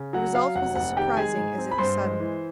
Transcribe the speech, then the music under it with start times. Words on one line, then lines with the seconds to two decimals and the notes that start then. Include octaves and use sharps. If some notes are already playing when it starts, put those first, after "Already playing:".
The result was as surprising as it was sudden.
Already playing: C#3
0.13 F#3 F#5
0.35 F#3 F5
0.55 F1 F#5
0.75 F1 F#5
0.96 D#3 G4 G5
1.17 G#3 G#4 G#5
1.37 G#2
1.58 C4
1.71 B5
1.78 G2 C5 C6
1.99 G#3
2.20 E3